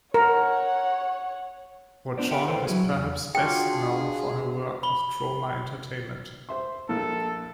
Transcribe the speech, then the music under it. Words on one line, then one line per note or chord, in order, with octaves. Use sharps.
Rochon is perhaps best known for her work with Troma Entertainment.
A#4 C#5 F#5
B3 D4 F4 C5 D5
G4 A#4 E5 F#5 G5
A4 B4 C5 D5 G5
F#3 E4 F#4 G#4
B1
E2
D4 F4 F#4 G#4 G5
B5 G7
C5 E5 C6
A#1 A#2 A4